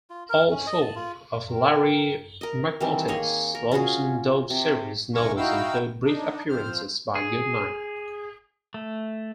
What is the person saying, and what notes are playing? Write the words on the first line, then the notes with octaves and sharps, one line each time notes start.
All four of Larry McMurtry's Lonesome Dove series novels include brief appearances by Goodnight.
F4
A#4
C#4
D#5
A5
F4
A#4 G5
A#4 D#5
D#3 E3 G3 C4
A#3 G#4 C#5 D#5
A#4
C#4 F4 F#4 G#4
C3
D2 G2 C3 A#4 G#5 C#6
D#4 E4 F#4 F5 G5 E6
D4 D#4
F3 C4 C5 F6
G#4
A3